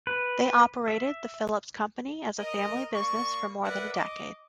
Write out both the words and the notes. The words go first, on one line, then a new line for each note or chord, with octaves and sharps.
They operated the Philips Company as a family business for more than a decade.
B4
E5
A#4 D#5
A#3 D5 C#6
A#4 B4 D5 E5 F#5
D#5 D6